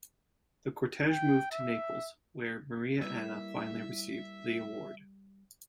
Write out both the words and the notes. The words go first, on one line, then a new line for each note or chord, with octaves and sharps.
The cortege moved to Naples, where Maria Anna finally received the award.
G5
E5
G3 A#3 E4 B4 E5